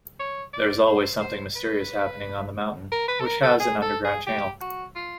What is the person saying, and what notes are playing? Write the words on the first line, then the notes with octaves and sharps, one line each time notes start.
There is always something mysterious happening on the mountain, which has an underground channel.
C#5
D5
C5
C5
B4
A#4
B4
A4
A#4
A4
G#4
A4
G#4
G4
F#4
F4